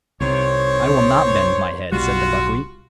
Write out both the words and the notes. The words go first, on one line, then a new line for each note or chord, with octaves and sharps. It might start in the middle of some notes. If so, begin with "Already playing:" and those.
"I will not bend my head," said the buckwheat.
C2 C3 D#3 C5 C#5
B1 G3 F4 F#4